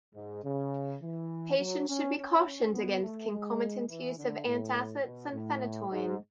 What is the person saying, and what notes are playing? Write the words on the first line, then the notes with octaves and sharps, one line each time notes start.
Patients should be cautioned against concomitant use of antacids and phenytoin.
G#2
C#3
E3
F#3
C#4
C#4
C#4
B3
A3
G#3
E3
D3
A2
B2
A2
G#2